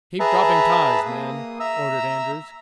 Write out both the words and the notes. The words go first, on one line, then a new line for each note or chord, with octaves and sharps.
"Keep dropping ties, men," ordered Andrews.
G#4 B4 E5 A5 A#5
A#3 D#6
E5 A#5 E6